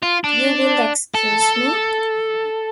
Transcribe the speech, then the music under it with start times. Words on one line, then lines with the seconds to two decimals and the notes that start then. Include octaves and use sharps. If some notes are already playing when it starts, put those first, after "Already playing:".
You will excuse me.
0.03 F4
0.24 D4
1.15 A4